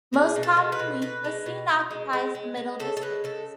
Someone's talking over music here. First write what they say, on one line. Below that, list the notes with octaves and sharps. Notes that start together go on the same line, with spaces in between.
Most commonly the scene occupies the middle distance.
B2 G#4
B2
A4
G#3
B4
B2
B2 B4
G#3
B2
B2
G#3
G#3
G#3
G#3
C#3 A4
A4
G#3 B4
C#3 A4